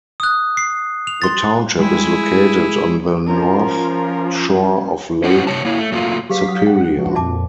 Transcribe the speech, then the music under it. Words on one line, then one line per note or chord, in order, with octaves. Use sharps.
The township is located on the North Shore of Lake Superior.
D#6 F#6
C7
F7
C6 A6
G#3 E4 G#4
F3 C#4 F4 A#4
C#4 F4 B4 C#5 F#5
C3 C#5 A5
A#3 E4 C#5
A3
F#3 A3 A#3 F4
F#3 G4 G#4 B4 F5 B6
D#6
F#5 G5
F3 D4 F#4
F2 A#2 E5 A5 D6